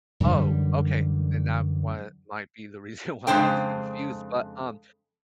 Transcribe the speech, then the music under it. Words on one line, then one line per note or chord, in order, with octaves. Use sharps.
Oh, okay, then that wa might be the reason why I was confused, but, um,
F#2 D3 E3 G3
F2 C#3 G#3 D4 C5 G5